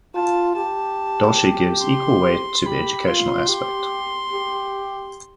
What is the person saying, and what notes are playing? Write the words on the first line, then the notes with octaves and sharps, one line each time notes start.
Dolci gives equal weight to the educational aspect.
F4 A5
G4 A5
C6
G4 B5
F4 C6
G4
G4